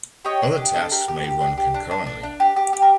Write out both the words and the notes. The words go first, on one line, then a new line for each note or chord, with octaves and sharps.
Other tasks may run concurrently.
G4 C#5 D#5
D4
G4
D4
A4
G4 A#4
G4
G4
D4
G4
D4
D4
D4
D4
G4
G4
G4
A#4